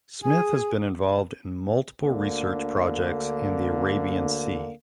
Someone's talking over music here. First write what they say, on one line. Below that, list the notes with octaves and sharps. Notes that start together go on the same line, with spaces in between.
Smith has been involved in multiple research projects in the Arabian Sea.
G#4
D2 D3 A#3